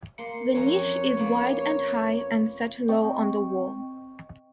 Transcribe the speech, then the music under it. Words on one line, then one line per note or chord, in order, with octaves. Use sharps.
The niche is wide and high and set low on the wall.
A#3 C6 C#7
F2 C#4 C#5 A#5
A#3 B3
C4 D#5 G5 C#6